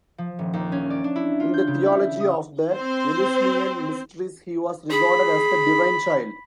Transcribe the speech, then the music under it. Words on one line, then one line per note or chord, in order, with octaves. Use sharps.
In the theology of the Eleusinian Mysteries he was regarded as the Divine Child.
F3
D#1
D#2
C#4
D5
D4
E4
F4
G6
C#3
E4
D#6
C4 C5
G#4 B5